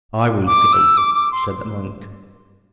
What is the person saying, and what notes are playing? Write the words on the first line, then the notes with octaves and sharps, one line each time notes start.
"I will go," said the monk.
D6
E6
D6
D6
C6